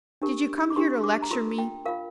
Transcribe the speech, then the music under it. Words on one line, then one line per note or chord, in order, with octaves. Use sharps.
Did you come here to lecture me?
D4 G4 A#4
D6
D4 G4 A#4 C6
D6
A#5
F4 A#4 C6
G5
F4 A#4 F5